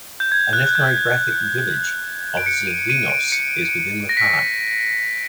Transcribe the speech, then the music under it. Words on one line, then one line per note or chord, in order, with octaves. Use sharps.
An ethnographic village of Zervynos is within the park.
G6
G#6
F#6
F#6
G6
D7
C#7
D#7
D#7
D7
C#7
A#6
B6